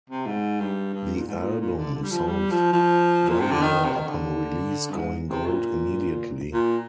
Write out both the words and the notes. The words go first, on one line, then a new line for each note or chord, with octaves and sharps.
The album sold very well upon release, going Gold immediately.
C3
G#2
G2
G2
A#2
G#2
A#2
A#2
D3
D3
G3
F3
G3
F3
F3
A#2
C3
D3
D#3
C3
D#3
D3
G2
G#2
C3
A#2
A#2